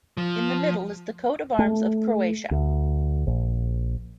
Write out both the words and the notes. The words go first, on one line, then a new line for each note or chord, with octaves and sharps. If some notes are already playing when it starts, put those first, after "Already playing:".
In the middle is the coat of arms of Croatia.
F3
A3
D2
A#1